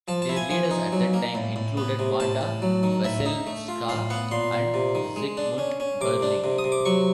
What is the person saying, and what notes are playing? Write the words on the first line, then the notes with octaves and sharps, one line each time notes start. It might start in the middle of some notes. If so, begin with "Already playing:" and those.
Their leaders at that time included Wanda Wasilewska and Zygmunt Berling.
F3 A5
A5
E4
G#5
F3 G#5
D#4
F#3
A#3
A2
A2
B3
C3
A2 A5
A2
F#3
D#3
A2 E5
D#4
A3
F4
A2 F5
B3 F#5
A#2 C6
A#2
C3
D#3
G#3
D4
C#4
C#4
C3 D6
D4
C3
D#6
C3
D6
F#3 C#6